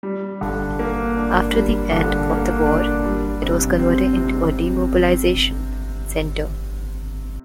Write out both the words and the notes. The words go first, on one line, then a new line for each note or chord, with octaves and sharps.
After the end of the war, it was converted into a demobilization center.
G3
D3
A#3
D4
G3
D3
A#3
D4
G3
C3
C4
C3